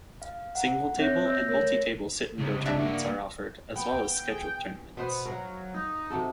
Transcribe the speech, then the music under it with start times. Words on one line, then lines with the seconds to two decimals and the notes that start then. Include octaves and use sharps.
Single-table and multi-table sit n' go tournaments are offered as well as scheduled tournaments.
0.22 F5
0.55 F#5 A#5
0.97 C4 C#5 E5 F#6 G6 A#6
1.26 E6 G6 A#6
1.48 A3 A#4 C#5 A#6
2.39 C#2 C3
2.66 D4 E5
2.80 A#3 F#4
3.76 B3 G5
4.28 G#4
4.97 B2 B3 C5 F#5
5.25 F#3 A#4 F5 F#5
5.74 D#4
6.10 C3 F#4 A4